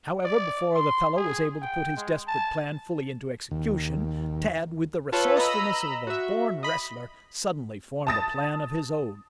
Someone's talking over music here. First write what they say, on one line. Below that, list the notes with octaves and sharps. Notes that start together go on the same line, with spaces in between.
However, before the fellow was able to put his desperate plan fully into execution, Tad, with the resourcefulness of a born wrestler, suddenly formed a plan of his own.
D5
C6
G#4
G5
G#3
A5
D#2
F4 A4 B4 C#5
D#5 A#5 B5 E6
F#4 E5
D#5 B5
A5 D#6 A6